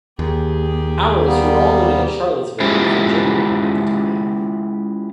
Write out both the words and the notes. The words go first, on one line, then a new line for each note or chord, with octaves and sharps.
Ours who were all living in Charlottesville, Virginia at the time.
D#2 G4 G#4
G3 A#3 B3
G#3 C#4 E4 F4 G4